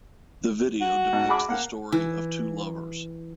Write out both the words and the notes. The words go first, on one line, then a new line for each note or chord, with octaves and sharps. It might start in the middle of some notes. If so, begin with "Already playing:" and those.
The video depicts the story of two lovers.
F#4
G#2
G#4 B5 D6
A#3 F#5
E3